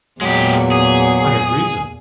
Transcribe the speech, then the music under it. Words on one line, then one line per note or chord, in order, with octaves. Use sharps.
I have reason.
E2 A#2 F#3 G#3 G4
G#4